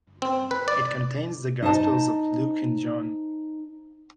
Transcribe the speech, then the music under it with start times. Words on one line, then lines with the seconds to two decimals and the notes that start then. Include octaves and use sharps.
It contains the Gospels of Luke and John.
0.22 C4
0.51 B4
0.68 D5
1.62 D#4 C5 D#5 A5